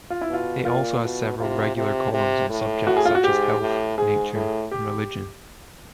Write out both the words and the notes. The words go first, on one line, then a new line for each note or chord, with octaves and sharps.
It also has several regular columns on subjects such as health, nature, and religion.
F4
E4
B2 F4
A#2 F4
B2
C3 F4
C3
C3
A2
F#4
G#4
F4
F#4
G#2 G4
A2
G#2 G#4
A2
G4